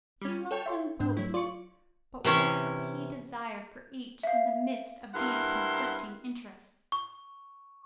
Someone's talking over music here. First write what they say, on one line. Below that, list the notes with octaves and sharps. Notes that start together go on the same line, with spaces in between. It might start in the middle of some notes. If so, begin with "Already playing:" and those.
He loved them both, but what could he desire for each in the midst of these conflicting interests?
G3 C#4
A4 C#5 G5
E5 C6 C#6
G#2 D4 G6
F#3 A3 E4
F4 D5 C#6
C3 E3 C#4
E5 F5
G2 E4 A#4 F#5 C6
C#6